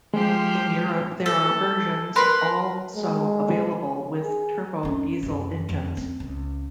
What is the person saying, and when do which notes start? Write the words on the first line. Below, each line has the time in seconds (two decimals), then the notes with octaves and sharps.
In Europe there are versions also available with turbo diesel engines.
0.14 F3 G#3 G4 C5
1.26 A4
2.16 A#4 B4 C6
2.96 G#3
4.24 G#4
4.83 F2 C#4
5.23 F#2 C3
5.69 F2
5.97 C4
6.20 C#2